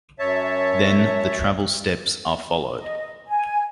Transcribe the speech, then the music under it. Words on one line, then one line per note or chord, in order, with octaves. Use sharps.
Then the travel steps are followed.
F#2 C#5 E5 A5
D#5
G#5